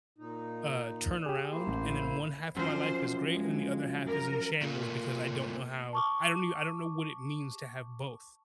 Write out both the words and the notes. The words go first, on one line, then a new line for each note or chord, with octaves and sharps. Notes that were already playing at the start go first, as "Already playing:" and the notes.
uh, turn around and then one half of my life is great and the other half is in the shambles because I don't know how I don't I don't know what it means to have both.
A#2 D#4
G4 G#4
A#3 E4 C5
A1
F#2 F3 C5
G#3
A#4
A3 A#3 F4 A#4
A5 C#6 D6